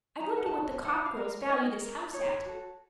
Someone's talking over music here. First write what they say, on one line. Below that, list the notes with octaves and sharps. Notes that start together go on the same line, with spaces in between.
I wonder what the Copp girls value this house at.
D#4 A#5
A5
F#5
A5
F#4 A4
D#4 F#5
F5
A#4
C#5
D#4 D#5
A#4
D#4 C#5
F#4 A4